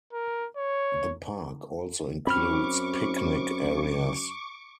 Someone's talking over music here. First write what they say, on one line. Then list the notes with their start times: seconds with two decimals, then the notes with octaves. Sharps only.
The park also includes picnic areas.
0.13 A#4
0.57 C#5
2.27 F#2 C4 B5 C#6 D6 F6